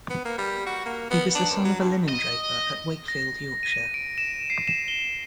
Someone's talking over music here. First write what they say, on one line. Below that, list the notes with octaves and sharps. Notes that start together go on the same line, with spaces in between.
He was the son of a linen-draper at Wakefield, Yorkshire.
B3
A#3
G3
F#4
A#3
B3
D4
F#2
F#3
G2
D#5
A#6
D#7
D7
E7
C7
E7
G7